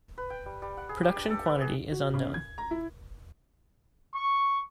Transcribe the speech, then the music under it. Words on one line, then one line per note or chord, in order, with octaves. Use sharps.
Production quantity is unknown.
B4
G5
G3
G3
F#5
G#4
G4
D4
A4
B4
G#4
F#4
C#3
G#6
A#5
E4
C#6